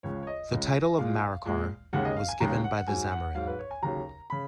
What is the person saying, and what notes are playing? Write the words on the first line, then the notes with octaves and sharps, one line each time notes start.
The title of "Marakkar" was given by the Zamorin.
C#2 C#3 G#3 C#5
C#5
D#5
C#2 C#3 G#3
A#2 G#3 F5
A#2 G#3
D#2 C#3 G#3 F#5
D#5
F5
G#5
D#2 C#3 G#3 A#5
F#5
G#2 F#3 G#5
F#5
G#2 F#3 F5
B4
C#5
G#5
D#2 C#3 F#3 A#5
C#3 B5